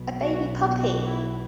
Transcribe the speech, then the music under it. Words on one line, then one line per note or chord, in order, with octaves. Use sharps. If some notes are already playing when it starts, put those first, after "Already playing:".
A baby puppy!
Already playing: B1 B2
F#4
F#4
E4